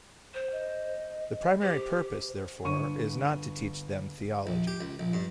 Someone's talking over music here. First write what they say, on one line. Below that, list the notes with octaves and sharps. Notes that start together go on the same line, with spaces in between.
The primary purpose, therefore, is not to teach them theology.
C5
D#5
G4 C5
G1 D3 C#6 D#7
A#1
G4
C#2
A#1
G2